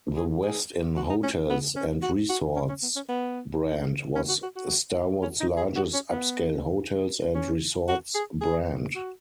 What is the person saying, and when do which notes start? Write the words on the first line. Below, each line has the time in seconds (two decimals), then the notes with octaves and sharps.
The Westin Hotels and Resorts brand was Starwood's largest upscale hotels and resorts brand.
0.16 G#4
0.43 G#4
0.97 F#4
1.09 D#4
1.23 C#4
1.50 B3
1.76 C#4
2.02 F#4
2.29 F#4
2.56 C#4
2.69 C#4
2.82 B3
2.96 C#4
3.09 B3
4.16 C#4
4.29 F#4
4.43 F#4
4.56 F#4
5.22 C#4
5.40 D#4
5.57 G#4
5.76 F#4
5.93 C#4
6.11 B3
7.34 C#4
7.88 F#4
8.15 G#4
8.41 G#4
8.95 F#4